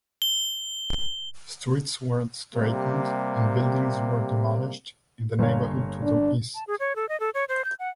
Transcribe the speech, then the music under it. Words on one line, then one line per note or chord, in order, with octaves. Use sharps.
Streets were straightened and buildings demolished in the neighborhood to the east.
G7
C3 G3 A#3
G1 A#3 C#5
D4
A5
G#4
C#5
A4
D#5
A4
C#5
C5
G6
F#5